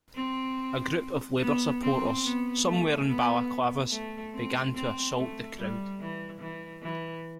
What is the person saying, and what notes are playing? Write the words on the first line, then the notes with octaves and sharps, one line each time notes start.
A group of Labour supporters, some wearing balaclavas, began to assault the crowd.
C4
B3
C4
B3
A3
B3
A3
C4
C4
A3
G3
E3
E3
E3